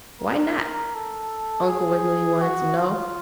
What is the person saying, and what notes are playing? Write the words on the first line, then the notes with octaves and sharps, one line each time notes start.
"Why not?" Uncle Wiggily wanted to know.
A#4
A4
G#4
F#4
F4